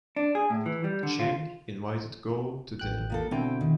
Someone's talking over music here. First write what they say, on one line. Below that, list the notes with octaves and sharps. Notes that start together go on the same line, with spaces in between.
Cheng invited Guo to dinner.
D4
G#4
A2
E3
G3
D3
F4
A1 G5 F#6
F3 A#3 A4
B2 D3 C4 E4 G5
D#3